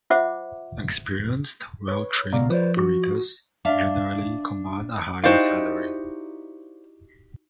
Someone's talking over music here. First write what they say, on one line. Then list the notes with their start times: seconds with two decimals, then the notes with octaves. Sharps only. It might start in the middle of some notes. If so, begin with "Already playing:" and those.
Experienced, well trained operators generally command a higher salary.
0.10 F4 C5 E5 F#5 D6
1.88 B4 C#5
2.33 C#2 B2 D5 F5 A#5
2.50 F3 B4 C5 D5
2.77 F#4
3.65 D4 E5 F5
5.24 D#4 E4 F#4 G4 C5 D5 F5